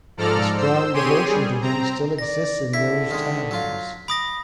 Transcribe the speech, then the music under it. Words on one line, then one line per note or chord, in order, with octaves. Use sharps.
A strong devotion to him still exists in those towns.
G#2 F3 A4 D5 A#5 F6
C5 E6
C4 G4 G#4 C#5 C6 D#7
G3 G#4
C4 A#5
D5 A#6
D3 E4 B6
D#3 G#3
F#3 F4
B5 D6 D#6 A#6